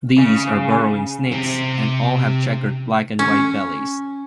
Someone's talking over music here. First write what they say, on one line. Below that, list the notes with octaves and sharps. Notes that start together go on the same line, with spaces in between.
These are burrowing snakes and all have checkered black-and-white bellies.
C#3
C3 C4
C#4